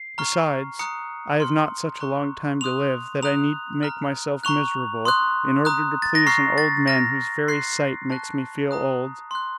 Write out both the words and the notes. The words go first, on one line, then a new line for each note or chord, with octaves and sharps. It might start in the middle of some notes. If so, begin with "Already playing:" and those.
Besides, I have not such a long time to live that I need make myself miserable in order to please an old man whose very sight makes me feel old.
Already playing: C7
A#5 C#6 F6
A#5 D#6 F#6 C#7
C6 F6
A#5 C#6 F#6
C6 D#6 F#6 F7
A#5 D#6 F#6 F7
A#5 F6
A#5 C#6 F#6 F7
C6 D#6 F#6
A#5 D#6 F#6
A6
A#6
A#5 C#6 F6 C7
A6
A#5 F6 A#6
C6 F#6 C7
A5 C#6 F#6
A#5 D#6 F#6
C6 F#6